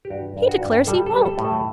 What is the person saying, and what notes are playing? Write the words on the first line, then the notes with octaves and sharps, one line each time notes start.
He declares he won't.
G4
G2 F#4
G2
F#4
G2
G3 A4
A4
G3
A4
A2
A4